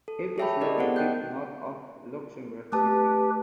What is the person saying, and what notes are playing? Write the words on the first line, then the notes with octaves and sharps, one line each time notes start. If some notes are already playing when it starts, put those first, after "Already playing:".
It is located north of Luxembourg City.
A4
G#4 C#5 E5 G5 A5 B5
E4 G4 A4 A#4 D5 D#5
B3 G#4 C5 F#5
D#5 G5 F#6 G6
A3 G4 B4 A5